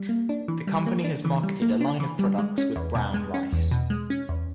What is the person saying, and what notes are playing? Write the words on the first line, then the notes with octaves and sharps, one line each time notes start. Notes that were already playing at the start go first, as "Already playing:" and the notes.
The company has marketed a line of products with brown rice.
Already playing: G3
A#3
D4
E3
G3
A#3
D4
E3
G3
A#3
D4
E3
G3
G#3
C#4
E2
B2
G#3
C#4
E2
B2
G#3
C#4
E2